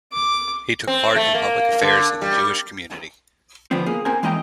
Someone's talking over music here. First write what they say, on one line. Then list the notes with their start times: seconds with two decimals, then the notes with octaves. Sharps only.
He took part in public affairs of the Jewish community.
0.13 D6
0.87 C4
1.16 A3
1.34 A#3
1.81 D3
2.22 G3
3.71 D3 F3 B3 C4
3.86 A#3 G#4
4.05 C4 A#4 G#5
4.23 E3 G#3 A#3 D#5 G5 A#5